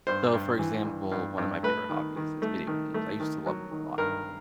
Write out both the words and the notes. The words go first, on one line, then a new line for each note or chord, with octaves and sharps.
So for example, one of my favorite hobbies is video games, I used to love them a lot.
G2 C5
G2
E3
G2
G2
G2
A3 B4
D#3
D#3
A3
D#3
A3
D#3
F#3
D#3
G2 A#4